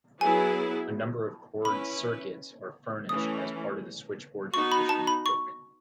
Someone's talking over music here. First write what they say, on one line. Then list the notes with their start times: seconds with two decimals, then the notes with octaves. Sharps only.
A number of cord circuits are furnished as part of the switchboard position equipment.
0.21 F#3 B3 E4 G#4 B4 G#5
1.65 C#4 E4 B4 B5
3.09 E3 A3 C#4 D#6
4.54 B3 D#4 F#4 C#6
4.72 B5
4.89 A5
5.07 B5
5.26 C#6